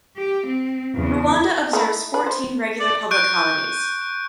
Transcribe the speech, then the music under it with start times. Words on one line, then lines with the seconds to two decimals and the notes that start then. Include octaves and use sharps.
Rwanda observes fourteen regular public holidays.
0.16 G4
0.46 C4
0.95 E2 C#3
1.73 A3 D#4 E4
2.14 B4
2.26 C5
2.80 D5
3.11 C#6 F#6 G6 D7